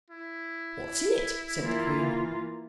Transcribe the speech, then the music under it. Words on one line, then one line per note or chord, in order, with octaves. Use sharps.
'What's in it?' said the Queen.
E4
E3 A#3 F4